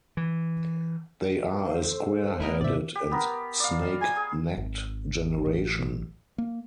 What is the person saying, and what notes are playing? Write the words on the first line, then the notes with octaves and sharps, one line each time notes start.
They are a square-headed and snake-necked generation.
E3
C5 F5
A4
A3 E4 A#4 D#5
G#2 C3 B3 C#4 C5 D5 E5
G4
B3 A#4
D5 F5
G#5
G#4
G#1
A1
A#3